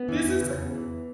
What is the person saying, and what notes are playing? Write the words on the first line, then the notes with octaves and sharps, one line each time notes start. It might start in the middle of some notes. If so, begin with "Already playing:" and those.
This is
Already playing: B3
E3
E2
C#3
E2
E3